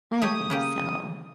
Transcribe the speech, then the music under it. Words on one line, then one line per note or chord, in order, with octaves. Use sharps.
I think so.
A3 G4 C#5 D#6
C#3 A#3 G4